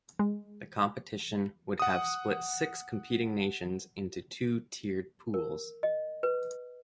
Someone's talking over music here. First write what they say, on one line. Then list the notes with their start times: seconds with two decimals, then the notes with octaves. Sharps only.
The competition would have split six competing nations into two tiered pools.
0.19 G#3
1.80 F#5 D#6
5.34 A#4
5.83 D#5
6.23 B4